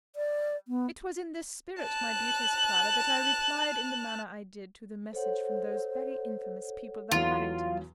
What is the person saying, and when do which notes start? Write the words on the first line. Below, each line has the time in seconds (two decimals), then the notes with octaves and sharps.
It was in this spirit, my beauteous Clara, that I replied in the manner I did to the message from those very infamous people the Harringtons.
0.16 D5
0.68 B3
1.81 A5 F#6
5.13 A4 C5 C#5 F#5
7.12 E2 F#3 F4